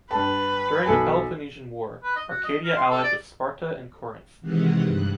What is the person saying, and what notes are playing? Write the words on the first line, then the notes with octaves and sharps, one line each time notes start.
During the Peloponnesian War, Arcadia allied with Sparta and Corinth.
G2 B4 A5
B1 A4 G#5
B4
D#5
F#4
D#5
A#4
C6
A4
D5
C3 D#3 E3 G#3 F#5
G2 F#6